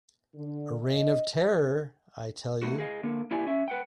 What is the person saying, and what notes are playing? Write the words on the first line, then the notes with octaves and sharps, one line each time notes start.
A reign of terror, I tell you.
D3
D#5
A3 D#4 F#4
G#4 D#5 F5
D3 A#3
A#3 E4 G4 D5 G#5
C#4 E5
B4 F#5 G5